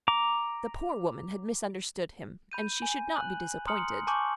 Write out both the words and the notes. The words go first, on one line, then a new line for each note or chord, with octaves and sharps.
The poor woman had misunderstood him, and she should not be disappointed.
A#5 D6
B5 G6 D#7
G#5
F#6 F#7
A#5 C6 D#6 F6 C#7 F#7
G#5 A5 C#6 D6 G6 F#7